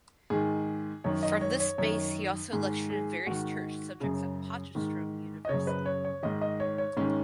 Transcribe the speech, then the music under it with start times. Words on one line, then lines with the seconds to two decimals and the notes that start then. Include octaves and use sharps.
From this base he also lectured in various church subjects at Potchefstroom University.
0.30 G#2 D#3 G#4
1.04 F#2 D#3 C#5
1.23 D#5
1.41 C#5
1.60 C#5
1.78 F#2 D#3 C#5
2.52 G#2 D#3 G#4
2.90 G#4
3.26 G#2 D#3 F#4
4.00 F#2 C#3 G#4
4.75 G#2 D#3
5.45 D#5
5.49 F#2 C#3 C#5
5.67 B4
5.86 C#5
6.05 C#5
6.23 G#2 D#3 D#5
6.41 D#5
6.60 C#5
6.78 C#5
6.97 G#2 D#3 C#4